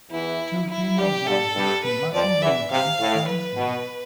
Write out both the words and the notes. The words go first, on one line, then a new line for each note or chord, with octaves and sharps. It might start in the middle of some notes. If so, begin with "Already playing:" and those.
Two female dancers in matching uniforms dancing.
E2 E3 E4
E4
G2 G3 G4
G2 G3 A4
G2 G3
B4
F2 F3 D5
E2 E3 E5
C3 F5
A2
B4
B2